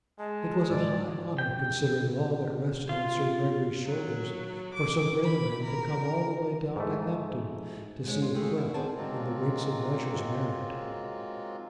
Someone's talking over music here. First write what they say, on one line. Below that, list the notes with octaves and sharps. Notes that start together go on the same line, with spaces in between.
It was a high honour, considering all that rested on Sir Gregory's shoulders, for so great a man to come all the way down to Hampton to see a clerk in the Weights and Measures married.
G#3 A5
G#2 D5
G5
F4
F#3
D6
B5
A#4
G#2 A3
G#2 G#3 C#4
F4
G#3 A3 G4 G#4
D4 E4 F#4
B3 C4 G#4 D5 G#5 A5
G#2 F#3 G#3 A#3 C4 F4